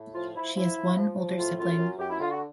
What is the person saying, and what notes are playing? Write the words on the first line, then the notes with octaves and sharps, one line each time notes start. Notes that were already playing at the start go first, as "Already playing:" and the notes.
She has one older sibling.
Already playing: A2
F3 F4
F3 E4
F3 E4
F3
F3
F3
A2 F4
F#2 F4
F#2
F#2 G4
E4
D3 F4
F#4